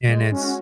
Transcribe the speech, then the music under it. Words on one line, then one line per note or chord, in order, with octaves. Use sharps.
And it's
G#3
C#4 F#4